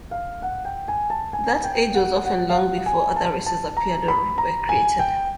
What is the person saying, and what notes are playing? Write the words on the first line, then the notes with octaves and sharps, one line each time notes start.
That age was often long before other races appeared or were created.
F5
F#5
G5
G#5
A5
G#5
G5
F#5
F#5
F5
F#5
G#5
A5
A5
A#5
B5
A#5
G#5
G5